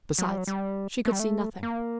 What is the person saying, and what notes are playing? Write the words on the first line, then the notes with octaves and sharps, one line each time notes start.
Besides, she could see nothing.
F#3
G3
F#3
G3
A3
G3
A3
A#3